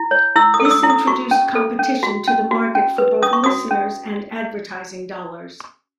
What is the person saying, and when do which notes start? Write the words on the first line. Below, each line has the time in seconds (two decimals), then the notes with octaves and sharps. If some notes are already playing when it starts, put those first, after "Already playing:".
This introduced competition to the market for both listeners and advertising dollars.
Already playing: E4
0.11 C#5
0.36 E4 E6
0.54 D#6
0.60 A4
0.65 E6
0.71 D#6
0.83 E4
0.90 D#6
1.07 F#4 C#6
1.31 C#4
1.55 A4
1.79 C#4
2.03 F#4
2.27 C#4
2.51 F#4
2.75 C#4
2.98 B4
3.22 C#4 D#6
3.33 C#6
3.44 F#4 D#6
3.71 C#4